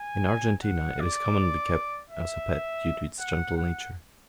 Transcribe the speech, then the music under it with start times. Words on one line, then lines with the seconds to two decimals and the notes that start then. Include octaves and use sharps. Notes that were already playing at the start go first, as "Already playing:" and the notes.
In Argentina it is commonly kept as a pet due to its gentle nature.
Already playing: G#5
0.64 F#5
1.00 D5
2.10 E5
3.20 F#5
3.57 F#5